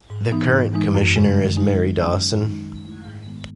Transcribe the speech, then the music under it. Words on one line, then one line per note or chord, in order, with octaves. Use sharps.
The current Commissioner is Mary Dawson.
G#2
E3 B3 D#4
G#2
E3 G#3 D#4
F#2
C#3 G#3
D#3
G#3 D#4
D#3
F#3 C#4
F#2
D#3 G#3 D#4
D#3
A3 E4
G#2
D#3 G#3 B3